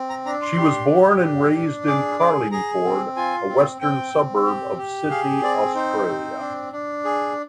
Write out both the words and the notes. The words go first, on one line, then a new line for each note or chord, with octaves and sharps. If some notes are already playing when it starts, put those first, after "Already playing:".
She was born and raised in Carlingford, a western suburb of Sydney, Australia.
Already playing: C4
A#5
D4 A#5
C6
G4
G4
D4
D4
G#4 D6
G#4 D6
G#4 A#5
C4
F4 G#5
C4
C4 G5
C4
G4
G4
G#4 F5
C4 D5
D#4 C5
C4
D4
D4
G#4